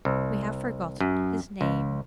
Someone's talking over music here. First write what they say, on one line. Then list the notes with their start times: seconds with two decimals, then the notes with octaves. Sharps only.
We have forgotten his name.
0.05 C2
1.01 F#2
1.61 C#2